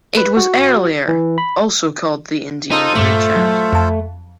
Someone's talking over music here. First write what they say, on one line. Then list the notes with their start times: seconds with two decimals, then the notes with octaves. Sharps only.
It was earlier also called the Indian blue chat.
0.17 B4
0.37 F#4
1.08 E3
1.38 B5
2.71 D#4 F4 A4 C5
2.95 G2 A#2 A3 D6
3.36 F#3
3.73 F2 A5